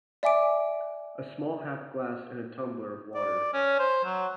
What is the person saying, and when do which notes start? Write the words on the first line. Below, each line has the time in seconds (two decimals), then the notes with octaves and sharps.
A small half-glass in a tumbler of water.
0.23 D5 E5 G#5 D6 D7
3.15 D5
3.53 C#4
3.79 C5
4.05 F#3